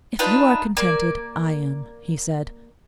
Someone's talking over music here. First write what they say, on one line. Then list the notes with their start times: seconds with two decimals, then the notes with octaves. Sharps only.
'If you are contented, I am,' he said.
0.19 D4 D#4 F4 B4
0.77 A#3 D5